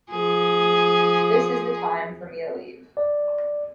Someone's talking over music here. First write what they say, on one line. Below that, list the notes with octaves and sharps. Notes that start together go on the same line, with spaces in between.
This is the time for me to leave.
F3 G#4
D5